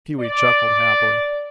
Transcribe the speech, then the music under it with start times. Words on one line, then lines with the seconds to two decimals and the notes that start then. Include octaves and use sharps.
Pewee chuckled happily.
0.20 D5